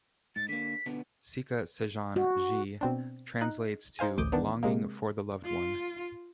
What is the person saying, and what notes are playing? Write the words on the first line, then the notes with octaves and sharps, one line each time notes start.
Sika Sajan Jee translates to ‘"Longing for the Loved One"’.
G#2 A6
D3 A#3 B6
B2 D3 B3
F#4
B2 C4 D4
D#4 F#6
D#4 C5 F5 G#5
A1 D2 D6 D#6 G6
D#3 E3 B3 D4
C3 G#3 A#3
F4